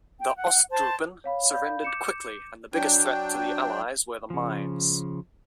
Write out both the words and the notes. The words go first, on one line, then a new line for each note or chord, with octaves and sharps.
The "Osttruppen" surrendered quickly, and the biggest threat to the Allies were the mines.
G5
F#5
C5 A5
C#5 F5 B5
D5 F5 B5 G6
D6 G6 C#7 E7
F#3 D4 G5
C#3 F3